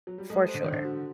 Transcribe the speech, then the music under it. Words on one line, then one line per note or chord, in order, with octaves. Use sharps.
For sure.
F#3
G3
G#3 A4
G3
C5
D3
D#3 A4
D3
F#4